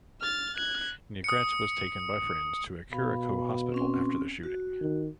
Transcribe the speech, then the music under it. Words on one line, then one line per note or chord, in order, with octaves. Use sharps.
Negrete was taken by friends to a Curico hospital after the shooting.
F6 A6
F#6 G#6
D#6 C#7
B2 F5 B5
C4 C#4 C6
F#4
D#3